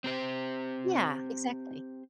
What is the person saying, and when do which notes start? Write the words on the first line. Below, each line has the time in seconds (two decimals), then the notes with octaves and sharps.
yeah, exactly.
0.04 C4 G4 C5